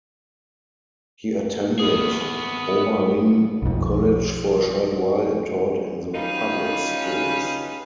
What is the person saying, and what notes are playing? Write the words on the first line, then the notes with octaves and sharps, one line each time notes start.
He attended Oberlin College for a short while and taught in the public schools.
B3 G#4
B1 F2
G3 C#4 D#4 F4 B4